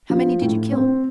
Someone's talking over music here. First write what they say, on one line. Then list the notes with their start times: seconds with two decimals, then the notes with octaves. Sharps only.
How many did you kill?'
0.10 F3
0.41 A2
0.72 C4